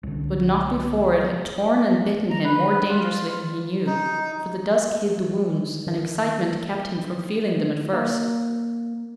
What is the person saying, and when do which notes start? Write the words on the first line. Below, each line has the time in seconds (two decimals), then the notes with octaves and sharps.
But not before it had torn and bitten him more dangerously than he knew; for the dusk hid the wounds, and excitement kept him from feeling them at first.
0.03 C2 D3
2.30 A#5
2.44 B4
2.71 B4
2.89 F4
3.87 D#4
5.87 D#3
7.93 A#3